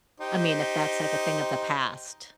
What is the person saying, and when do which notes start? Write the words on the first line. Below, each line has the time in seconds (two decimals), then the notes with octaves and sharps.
I mean, if that's, like, a thing of the past,
0.20 D#4 G4 C5